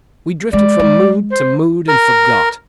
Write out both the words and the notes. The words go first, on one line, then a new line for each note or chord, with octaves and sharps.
We drifted from mood to mood and forgot.
G#3 D5
G#3
C5
A#4